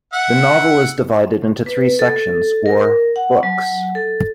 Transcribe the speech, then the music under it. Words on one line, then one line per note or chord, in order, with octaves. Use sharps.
The novel is divided into three sections or 'books'.
E5 F#5
B4
A4
A#4
A#4
F#5
F#3
A4